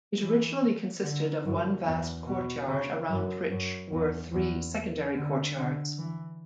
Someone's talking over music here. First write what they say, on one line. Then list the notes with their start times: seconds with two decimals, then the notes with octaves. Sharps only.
It originally consisted of one vast courtyard around which were three secondary courtyards.
0.21 E3
1.03 D3
1.45 F#2
1.86 E2
2.27 B2
2.68 C#3
3.09 F#2
3.50 F#2
3.92 E2
4.33 E2
5.16 D3
5.57 D3
5.98 E3